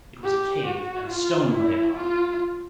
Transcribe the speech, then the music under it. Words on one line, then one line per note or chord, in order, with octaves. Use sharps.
It was a cave, and a stone lay upon it.
G4
F#4
F4
E4
F4